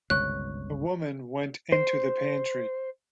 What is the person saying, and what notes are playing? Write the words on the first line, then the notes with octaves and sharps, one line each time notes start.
The woman went into the pantry.
G1 C#2 C3 C#5 C#6 F#6
C5